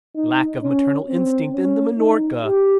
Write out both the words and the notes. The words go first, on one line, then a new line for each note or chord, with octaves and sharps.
Lack of maternal instinct in the Minorca.
D#4
C#4
C4
C#4
D#4
G4